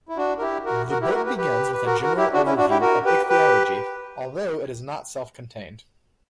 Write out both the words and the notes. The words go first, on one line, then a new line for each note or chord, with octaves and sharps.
The book begins with a general overview of ichthyology, although it is not self-contained.
E4
D4 F#4
A#4
E4 G4
F#4 A#4
F#4 A#4
E4 G4
B4
F#4 A#4
G4 B4
G4 B4
B4
F#4 A#4
F#4 A#4
E4 G4
D4 F#4
C#4 E4
D4 F#4
E4 G4
F#4 A#4
G4 B4
G4 B4